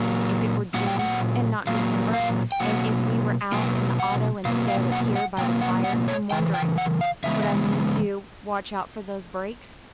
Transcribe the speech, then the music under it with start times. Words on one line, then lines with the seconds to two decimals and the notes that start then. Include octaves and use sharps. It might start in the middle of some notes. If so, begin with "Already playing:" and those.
"If it were June and not December, and if we were out in the auto instead of here by the fire, I'm wondering; would I need to--watch out for those brakes?"
Already playing: A#2 F#3 A#3
0.74 A#2 F#3 A#3 F#5
0.87 G5
0.99 F#5
1.67 A#2 F#3 A#3 F5
2.14 F5
2.52 G5
2.59 B2 F#3 A#3 F#5
3.52 B2 F#3 A#3 G5
4.00 F#5
4.45 B2 F#3 A#3 F5
4.68 F5
4.92 F#5
5.15 F#5
5.38 B2 F#3 A#3 G5
5.61 F#5
5.84 F#5
6.08 C#5
6.31 C#3 E3 G5
6.54 G5
6.78 F#5
7.01 F5
7.24 C#3 E3 G#3 B3 E5